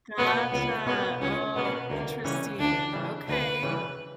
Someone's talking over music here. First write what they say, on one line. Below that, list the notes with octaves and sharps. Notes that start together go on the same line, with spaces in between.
Gotcha. Oh, interesting, okay.
B2 A#3 B3 C#4
C#2 B3
B2 A#3 B3 C#4
C#2 C#4
B2 A#3 B3 C#4
D2 A#3
C#3 E3 G3 C#4
D2 D4
C#3 E3 G3
D2 B4
C#3 E3 G3